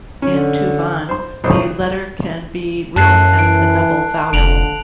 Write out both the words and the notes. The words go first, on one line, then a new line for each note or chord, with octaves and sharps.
In Tuvan the letter can be written as a double vowel.
D3 C#4
C5 C6
B1 C5 C#5
F#2 A2 A5 F#6 C7
E3 D7
F1 D3 D7 F7 F#7